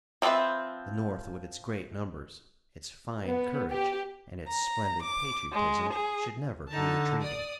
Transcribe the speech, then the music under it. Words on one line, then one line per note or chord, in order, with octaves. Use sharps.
The North with its great numbers, its fine courage and its splendid patriotism should never be retreating.
F3 C4 F#4 B4 E5
B3
G4
A#5
D6
G#3
G#4
D3 D#4 A5
D5 D#6